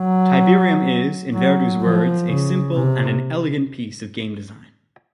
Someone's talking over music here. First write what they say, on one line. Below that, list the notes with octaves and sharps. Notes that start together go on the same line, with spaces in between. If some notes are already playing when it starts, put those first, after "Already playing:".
Tiberium, is, in Verdu's words, a "simple" and an "elegant" piece of game design.
Already playing: F#3
F#3
F3
C#3
C3